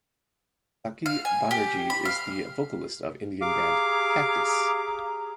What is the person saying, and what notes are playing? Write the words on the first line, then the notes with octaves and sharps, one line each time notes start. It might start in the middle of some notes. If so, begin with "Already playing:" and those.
Saqi Banerjee is the vocalist of Indian band Cactus.
F5
G#5
G4
B5
F5
G4 G#4 F5 A#5 D6